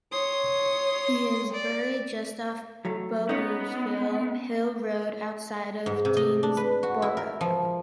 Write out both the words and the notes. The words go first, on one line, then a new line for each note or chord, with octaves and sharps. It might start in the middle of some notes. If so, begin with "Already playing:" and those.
He is buried just off Bogusville Hill Road outside of Deansboro.
C#5 C6 D#6
D5
F#3 A3
B3 C#4 D#4
G#2
C3
D#5
D4
B4
F#4
E4
A#4
F3